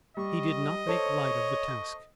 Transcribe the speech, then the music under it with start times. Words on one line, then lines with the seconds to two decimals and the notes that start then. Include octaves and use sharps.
He did not make light of the task.
0.17 G3 D#5 C#6
0.87 A4 C5 C#5 C#6